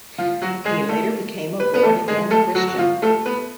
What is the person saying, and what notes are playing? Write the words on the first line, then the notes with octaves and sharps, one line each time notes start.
He later became a born-again Christian.
F3 F4
F#3 F#4
G#3 G#4
A3 A4
B4
B3 B4
A3 A4
G#3 G#4
A3 A4
F#3 F#4
F#4
F3 F4
A3 A4
B3 B4